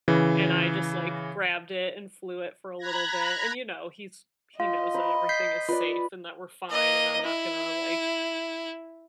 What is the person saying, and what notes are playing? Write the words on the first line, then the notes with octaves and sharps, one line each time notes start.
and I just, like, grabbed it and flew it for a little bit, and you know, he's he knows that everything is safe, and that we're fine, and I'm not gonna, like,
C#3 E3
A#5 B5 F#6 G#6 A#6
F4 D#5 F5
C5 A#5 B5
G6 B6 C7
F4 B4 D5 B5
A#3 D#5
E4